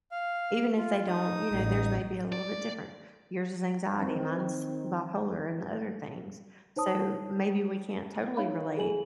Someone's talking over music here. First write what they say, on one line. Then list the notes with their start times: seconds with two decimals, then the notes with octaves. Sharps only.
Even if they don't, you know, theirs may be a little bit different. Yours is anxiety, mine's bipolar, and other things, so maybe we can't totally relate
0.11 F5
0.77 F4
1.08 D#4 D#6
1.52 A1
2.32 D5
3.98 D#3 C4
6.76 D#4 C5 C#5 A5 D#6
8.37 D#4 C#5 E5 F5 B5
8.77 G#4 A4 G#5 F#7